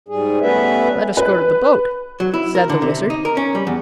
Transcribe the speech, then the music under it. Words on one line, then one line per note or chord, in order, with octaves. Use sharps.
"Let us go to the boat," said the Wizard.
G#2 G3 G#4
G3 A3 B3 C#4 B4 E5
B4
F#3
E4
A#4
D3
C3
D#4
A#4
C#4
G3
E2